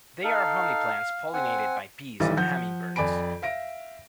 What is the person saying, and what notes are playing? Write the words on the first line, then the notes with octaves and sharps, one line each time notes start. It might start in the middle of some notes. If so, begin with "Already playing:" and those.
They are honey plants pollinated by bees and hummingbirds.
D#4 A4 F5
C4 F#5 G#5
B1 D#3 E3 G3 D6 A6
F3 F#5 G6
F2 D5 G#5 B5 D7
E5 F5 A#6 D7